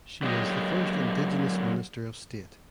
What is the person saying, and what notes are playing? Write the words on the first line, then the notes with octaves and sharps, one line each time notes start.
She was the first indigenous Minister of State.
D3 F#3 G#3 A#3 G4 D#5